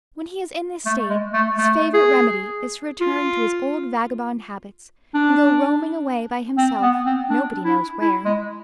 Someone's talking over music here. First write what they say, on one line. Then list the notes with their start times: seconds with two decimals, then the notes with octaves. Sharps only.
When he is in this state, his favorite remedy is to return to his old vagabond habits, and go roaming away by himself nobody knows where.
0.86 A3
1.10 G#3
1.34 A3
1.58 A3
1.94 G#4
3.01 F4
5.15 D4
6.58 C4
6.82 B3
7.06 C4
7.30 D4
7.65 E4
8.01 E4
8.25 G#3